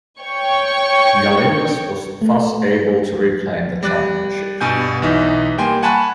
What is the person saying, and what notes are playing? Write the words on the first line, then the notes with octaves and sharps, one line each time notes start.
Galindez was thus able to reclaim the championship.
C#5 G5 C#6
A3
G3 D5 F#6
G2 B2 G#5 G6
B1 E3 D#4 E5
G3 A#3 G5 G#5 C6
F#5 G#5 A5 B5 C#6 F#6